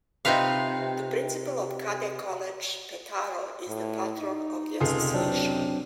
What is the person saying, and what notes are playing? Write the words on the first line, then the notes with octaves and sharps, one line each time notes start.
The Principal of Cadet College Petaro is the Patron of the Association.
C3 D#4 F4 B4 F5
A2
D#4
F1 C#2 F4 G#4 A4 C7
F#3 C4 D4